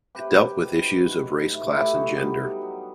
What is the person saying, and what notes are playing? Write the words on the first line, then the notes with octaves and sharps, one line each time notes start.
It dealt with issues of race, class, and gender.
C3 G4 B4
F#3
D#3
F#3
D#3
F#3
A2
A2 E4 G4
F#3 D#4 F#4
F#3 G3 B3
F#3
F#3